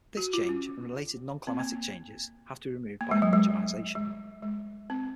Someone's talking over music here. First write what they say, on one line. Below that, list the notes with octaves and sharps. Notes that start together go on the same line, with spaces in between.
This change, and related non-climatic changes, have to be removed by homogenization.
F#4
F4
C#4
C4
A#3
A#3
G#3
F#3
G#3
G#3
G#3
C4